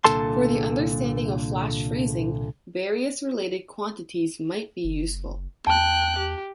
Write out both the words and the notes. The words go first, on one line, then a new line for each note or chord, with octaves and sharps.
For the understanding of Flash freezing, various related quantities might be useful.
C2 A#2 D3 A4 A5 C6
F#1
E2 G5 A5 F#6
G4